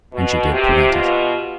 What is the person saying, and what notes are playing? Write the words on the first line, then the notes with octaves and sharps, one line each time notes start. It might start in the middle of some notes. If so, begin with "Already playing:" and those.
And she did prevent it.
B2
C3 G4
B2 F4